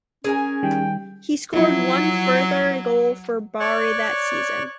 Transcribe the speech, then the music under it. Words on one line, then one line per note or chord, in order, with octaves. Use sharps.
He scored one further goal for Bari that season.
C#4 G#4 A#4 G#5
D#3 G3 G5
F3 F#3 E4
C#5 D5 C#6 F#6